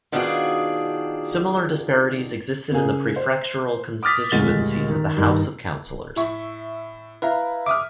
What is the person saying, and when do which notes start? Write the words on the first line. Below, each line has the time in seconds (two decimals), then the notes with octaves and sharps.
Similar disparities existed in the prefectural constituencies of the House of Councillors.
0.12 B2 D#3 D4 F4 F#4 G#4
2.71 C#3 A#3 G#4
3.16 C5
4.03 D6 D#6 F6 A6 B6
4.32 D#1 D2 G#3 A#3 D#5 A6
4.89 D#3
5.17 G2 D#3 D#4
6.16 A2 E5 C#6
7.22 E4 B4 F5 A#5
7.66 E5 D6 D#6 F6